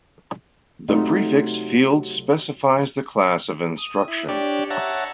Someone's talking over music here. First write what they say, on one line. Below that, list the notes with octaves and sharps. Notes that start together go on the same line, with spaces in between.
The prefix field specifies the class of instruction.
C3 F#3 A3 D#4 F4
D#6
E4
D4 G4 C#5 D5
C#5 E5 F#5 A5 A#5